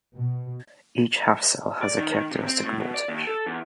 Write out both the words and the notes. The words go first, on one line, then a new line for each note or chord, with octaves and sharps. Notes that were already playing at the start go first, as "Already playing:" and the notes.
Each half-cell has a characteristic voltage.
B2
D5
D#3
C3
C4
A2
B2
D5
D#2
A4
E2